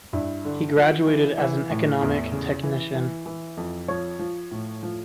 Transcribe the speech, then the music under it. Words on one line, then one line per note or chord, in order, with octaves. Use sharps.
He graduated as an economic technician.
G2 E4
D3
F3
E3
E3
A2
E2 E4
C#3
E3
E3
E3
F2
F3 C#5
F3
A2
F3